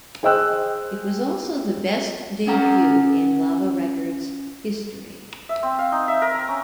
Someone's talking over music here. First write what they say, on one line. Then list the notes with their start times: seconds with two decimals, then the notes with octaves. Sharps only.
It was also the best debut in Lava Records' history.
0.23 G#4 C5 D#5 G5 E6 F#6
2.47 C#4 F#5 A#5
5.49 E5
5.63 C4
5.79 F5
5.92 D#4
6.08 E5
6.22 A#4
6.34 A#5
6.48 C#4